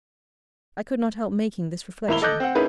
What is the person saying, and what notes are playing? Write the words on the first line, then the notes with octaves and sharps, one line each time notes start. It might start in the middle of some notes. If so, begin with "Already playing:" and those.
I could not help making this reflection.
G#1 A#3 E4 B5 F7 G7
A4 D#5 D6 F#6 G6
C4 F#5
A#3 C#4 D#4 E4 G#4 B4